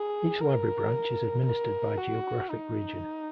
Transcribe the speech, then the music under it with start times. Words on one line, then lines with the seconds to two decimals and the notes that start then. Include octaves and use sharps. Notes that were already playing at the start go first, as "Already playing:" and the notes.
Each library branch is administered by geographic region.
Already playing: G#4
0.41 A#4
1.46 A#4
1.98 F#4
2.50 D#4